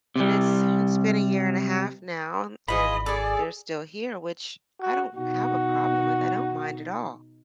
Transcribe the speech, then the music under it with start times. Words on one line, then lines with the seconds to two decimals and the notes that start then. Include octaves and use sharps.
And it's it's been a year and a half now, and they're still here, which I don't have a problem with, I don't mind at all.
0.16 C3 G3
2.68 G#1 F4 F#4 G#4 D#5 B5
3.06 G#4 A4 D5
4.80 F#4
5.16 B2 D#4 F#4